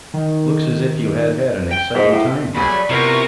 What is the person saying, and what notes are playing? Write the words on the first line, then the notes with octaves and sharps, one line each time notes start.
"Looks as if you had had an exciting time here."
D#3
G5
G#2
A2
F#3 G3 A3 C#4 G#4 G#5 B5
C3 B3 E4 F4 A#4 C#6